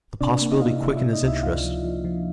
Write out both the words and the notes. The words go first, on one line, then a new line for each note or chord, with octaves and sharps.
The possibility quickened his interest.
C3 D4 D5
A#3
D#4 D#5
A#3 F5
E4 E5
C3 E4 E5
E4 E5
C3
D#4 D#5
C#2 E4 E5
C#2 F4 F5
F3
F3
F3